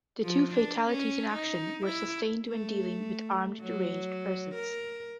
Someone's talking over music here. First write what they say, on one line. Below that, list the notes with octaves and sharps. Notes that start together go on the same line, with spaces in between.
The two fatalities in action were sustained when dealing with armed deranged persons.
F3
D4
C#4
D#4
E4
A3
F#3
A#4